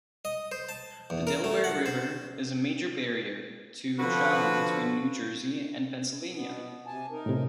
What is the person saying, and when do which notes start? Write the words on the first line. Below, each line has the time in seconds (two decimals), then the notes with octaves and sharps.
The Delaware River is a major barrier to travel between New Jersey and Pennsylvania.
0.25 D#5
0.52 C5
0.69 A5
1.10 E2
1.27 A#4
1.44 A3
1.64 F#5
1.86 C5
3.99 D3 F3 F#4 B4
6.34 B2 B3
6.87 C3 G#5 A5
7.11 D#4 A#4
7.26 A2 C3